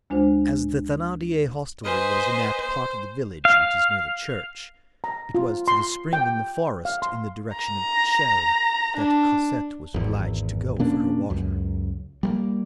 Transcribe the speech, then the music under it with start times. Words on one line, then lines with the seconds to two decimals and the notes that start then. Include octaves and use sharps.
As the Thenardier hostelry was in that part of the village which is near the church, it was to the spring in the forest in the direction of Chelles that Cosette was obliged to go for her water.
0.10 D2 G#3 D4 F4 C5
1.83 B4 C5 D#5 G#5
2.60 C5
3.45 F5
5.04 A#5
5.35 F4
5.68 C6
6.13 G5
6.85 F5
7.02 C6
7.54 A#5
8.97 D4
9.94 G#1 E2
10.79 B2 A#3 C#4 D4
11.30 C#2 F#2
12.23 G3 G#3 A#3